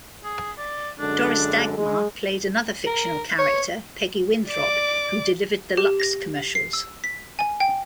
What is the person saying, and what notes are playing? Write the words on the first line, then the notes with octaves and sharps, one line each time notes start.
Doris Dagmar played another fictional character, Peggy Winthrop, who delivered the Lux commercials.
G#4
D5
F#2 D3 G#3 D4
G#3
A#4
C#5
D5 D6
G4
A#6
C7
E6
B6
G#5
G5